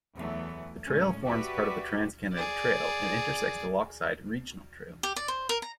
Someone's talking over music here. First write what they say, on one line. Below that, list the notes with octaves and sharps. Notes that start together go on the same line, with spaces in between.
The trail forms part of the Trans-Canada Trail, and intersects the Lochside Regional Trail.
E2 E3 F#3 A3 B3
A2 G#3 C#4
F#4 G4 B4 D5 E5
G#4 D5
G4
D5
C5
A#4
A#5